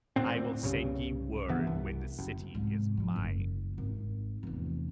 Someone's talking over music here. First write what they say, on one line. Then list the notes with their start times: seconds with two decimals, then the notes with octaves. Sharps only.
"I will send ye word when the city is mine."
0.16 D2 A2 C4
0.63 C2 G2 C#3
1.49 G2 E3 B3
1.67 C2
2.19 F#1
2.54 G#2 C3
2.97 F3 G3
3.16 F#1
3.78 G#1
4.43 F1 E2